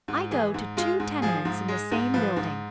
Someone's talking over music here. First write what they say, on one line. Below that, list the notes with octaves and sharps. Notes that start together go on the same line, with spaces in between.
I go to two tenements in the same building.
G#2
E3 G#4
G#2
G#3 F4
G#2
F3 G#4
G#2
G#3
G#2
F3 B4
G#2